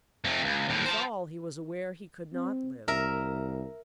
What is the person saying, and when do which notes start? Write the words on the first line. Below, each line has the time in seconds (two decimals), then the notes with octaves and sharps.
Withal he was aware he could not live.
0.25 F2 A3
0.44 C#2
0.69 D#2 A2
0.86 C5 A5
2.33 C4
2.88 C2 A#4 E5